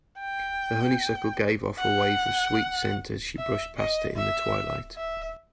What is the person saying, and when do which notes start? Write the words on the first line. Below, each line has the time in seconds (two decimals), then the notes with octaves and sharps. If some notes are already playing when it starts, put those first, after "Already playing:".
The honeysuckle gave off a wave of sweet scent as she brushed past it in the twilight.
0.19 G5
1.79 F#5
3.38 E5
3.77 D#5
4.16 E5
4.96 E5